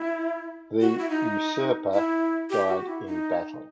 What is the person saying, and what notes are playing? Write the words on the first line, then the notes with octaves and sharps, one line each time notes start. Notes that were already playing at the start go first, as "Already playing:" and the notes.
The usurper died in battle.
Already playing: E4
F#4
E4
D#4
E4
G4
F#4
E4
D#4